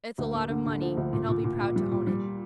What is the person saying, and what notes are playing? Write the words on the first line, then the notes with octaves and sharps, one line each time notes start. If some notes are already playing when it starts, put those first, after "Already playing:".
"It's a lot of money, and I'll be proud to own it."
D2
A#3
D3
D3
F3
D2
A#2
A#2
A#2
A#2
G3
A#2
G3